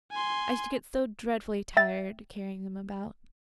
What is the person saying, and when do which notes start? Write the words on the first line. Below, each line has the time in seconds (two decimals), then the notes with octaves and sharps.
I used to get so dreadfully tired carrying them about.
0.12 G#5 C6
1.77 E5 G5 A6